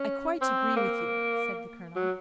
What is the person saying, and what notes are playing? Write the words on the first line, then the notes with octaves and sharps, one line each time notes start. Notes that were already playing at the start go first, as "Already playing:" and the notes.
"I quite agree with you," said the Colonel.
Already playing: C#4
C4
A#3
F#3